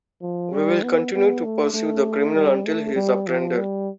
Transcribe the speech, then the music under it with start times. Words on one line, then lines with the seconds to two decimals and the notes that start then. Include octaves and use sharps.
We will continue to pursue the criminal until he is apprehended.
0.22 F3
0.53 G3
0.83 B3
1.14 B3
1.44 A3
1.74 A3
2.35 G3
2.66 A3
2.96 G3
3.27 F3
3.57 G3